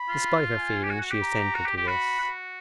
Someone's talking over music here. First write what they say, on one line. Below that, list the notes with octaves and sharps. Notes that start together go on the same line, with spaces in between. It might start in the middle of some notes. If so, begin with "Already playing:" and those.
Despite her feeling she assented to this.
Already playing: B5
F4
G#5
G4
F#4
F#4
G4
A#5
F#4
G4
G4
F#4 B5
F#4